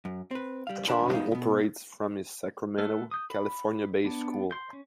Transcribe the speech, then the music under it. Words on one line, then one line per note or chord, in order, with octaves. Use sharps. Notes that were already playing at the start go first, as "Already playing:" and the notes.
Chong operates from his Sacramento, California-based school.
F#2
C4 B4
G3 F5
D4 A#4 B4 A5 B5
G#3 B3 D#4 F5
B2 B3
A3 A4 B4 F6
D#6 G6
B5
B3 D4
C6 G6
C#4